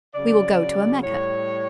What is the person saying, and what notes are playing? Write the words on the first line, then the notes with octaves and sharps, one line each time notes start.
We will go to a Mecca.
C#3 F#3 D5
A2 G3 C#5